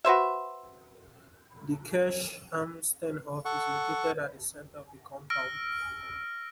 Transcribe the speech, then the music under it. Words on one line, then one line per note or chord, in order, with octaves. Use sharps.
The Kirche am Steinhof is located at the center of the compound.
F#4 B4 C5 E5
A4 F#5 C#6
E6 F6 A#6 D7